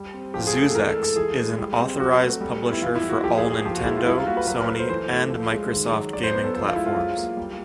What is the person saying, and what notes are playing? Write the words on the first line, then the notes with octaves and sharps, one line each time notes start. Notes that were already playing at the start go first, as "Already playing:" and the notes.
Zuxxez is an authorized publisher for all Nintendo, Sony and Microsoft gaming platforms.
Already playing: G3
C4
F3 G4
G#4
A3
A4
E3 A#4
A4
G#3
A4
E3 G#4
G#3
G3
C4
F#3 F#4
A3
G3
B3
E4
E3 F4
E4
G3
F#4
F3 G4
G#4
A#3
G#4
F3 G4
F#4
G#3 E4
F4
G3 E4
F4
A#3 F#4
B4
F#3 B4
A#4
A3 B4
C5
E3 C5
A3
F3
G#3
D#3
F#3
F#3 D5
C5
B3
A4
F3 A4
F4
G#3 E4
F4
F#3
A#3
G3